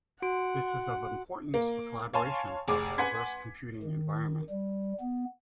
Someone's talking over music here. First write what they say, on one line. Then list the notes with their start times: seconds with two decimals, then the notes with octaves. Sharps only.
This is of importance for collaboration across a diverse computing environment.
0.22 F#4 F#5 C6 D7
1.54 A#3
2.13 C#5 F5 G#5 A5 C6
2.68 F1 G#4 D6
2.98 B4 F#5 G#5 C6 G#6 B6
3.83 D#3
4.50 G3
5.00 B3